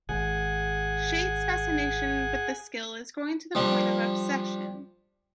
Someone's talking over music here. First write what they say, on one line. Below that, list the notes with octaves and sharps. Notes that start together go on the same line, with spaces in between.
Chade's fascination with the Skill is growing to the point of obsession.
G#1 G#4 F#5 G#5
F3 G3 D4